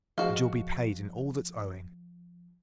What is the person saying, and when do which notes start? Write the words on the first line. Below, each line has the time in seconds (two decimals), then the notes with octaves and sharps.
And you'll be paid all that's owing.
0.18 F3 F#4 G#4 D#5 F5